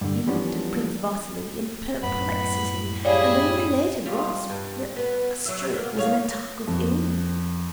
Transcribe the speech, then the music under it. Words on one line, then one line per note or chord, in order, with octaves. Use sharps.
He looked at Prince Vasili in perplexity, and only later grasped that a stroke was an attack of illness.
G2 D3
E3 F3 G3 B3 C#4 D4
F#2 A2 B3 B5
G3 E4 G#4 C#5 D5 F5
G3 F4
G2
B3 B4
F#3 E5
A#3 B3
E2 C#5 F5
F2